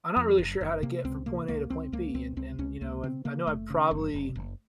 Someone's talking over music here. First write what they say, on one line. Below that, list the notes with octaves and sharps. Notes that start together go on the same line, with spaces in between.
I'm not really sure how to get from point A to point B. And and, you know, and I know I probably
F2
F#1
F#1
C3 A#3
C#2 C4
C3 A#3
C#2 A#3
C#2 C4
C#2 A#3
C#2 C4
C#2 C4
C#2 C#4
C#2 A#3
C#3 C4
C#3 A#3
F#1 A3
C#3
F#1
F#1
F#1